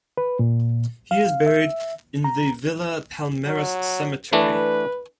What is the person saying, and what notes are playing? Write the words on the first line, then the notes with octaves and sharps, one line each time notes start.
He is buried in the Villa Palmeras Cemetery.
B4
A#2
F5
E5
A#5
F#3
E3 A3 D4 B4